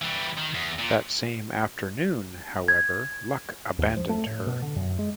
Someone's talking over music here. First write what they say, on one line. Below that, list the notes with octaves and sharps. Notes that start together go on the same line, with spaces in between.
That same afternoon, however, luck abandoned her.
E3 G3
D#3
E2
A#2
G#6
D#2
F3
A3
A2
B2
D3
F#2
G#3